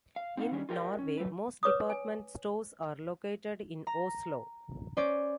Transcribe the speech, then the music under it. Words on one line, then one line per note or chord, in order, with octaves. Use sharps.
In Norway, most department stores are located in Oslo.
F5
C4 D#4 D#5 F5 F#5
D#3 G3 C#4 D4
F4 G4 A#4 D5 E5 G5
C#4
F#3 A3 B4
B4 C#5 D6 D#6
G#5
A#5
C#4 C5 D5